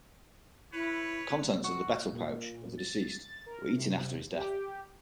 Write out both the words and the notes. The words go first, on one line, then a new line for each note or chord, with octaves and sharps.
The contents of the betel pouch of the deceased were eaten after his death.
E4 B4 C#5
F#4
A#2
A6
A6
A#4
C3
G4